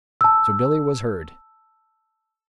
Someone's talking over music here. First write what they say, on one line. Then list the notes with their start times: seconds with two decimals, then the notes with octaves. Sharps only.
So Billy was herd.
0.21 A5 E6